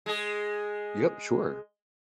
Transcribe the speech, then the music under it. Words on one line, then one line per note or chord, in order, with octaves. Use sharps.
Yep, sure.
G#3 G#4